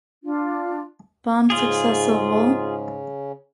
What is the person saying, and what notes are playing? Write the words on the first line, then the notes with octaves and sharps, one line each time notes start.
Bom Sucesso Vol.
D4 F4
G#2 C#3 C#4 F4 G#4